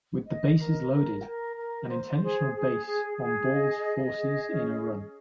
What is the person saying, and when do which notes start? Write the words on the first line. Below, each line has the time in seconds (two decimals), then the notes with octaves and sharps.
With the bases loaded, an intentional base on balls forces in a run.
0.26 D#5
0.59 A#4
0.91 A#4
1.24 A#4
1.56 A#4
1.88 C5
2.21 G#4
2.54 G#4
2.86 G#4
3.18 G#4
3.50 D#5
3.83 D#5
4.16 G#4
4.48 C#4